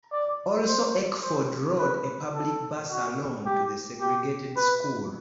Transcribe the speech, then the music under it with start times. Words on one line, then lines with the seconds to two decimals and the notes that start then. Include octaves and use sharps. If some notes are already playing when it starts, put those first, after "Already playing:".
Also, Eckford rode a public bus alone to the segregated school.
0.12 D5
0.67 C5
1.23 C5
1.79 B4
2.35 A4
2.90 F#4
3.45 G4
4.01 G4
4.57 B4